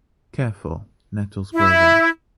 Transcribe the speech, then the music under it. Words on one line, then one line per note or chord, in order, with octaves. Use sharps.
Careful, nettles grow there.
E4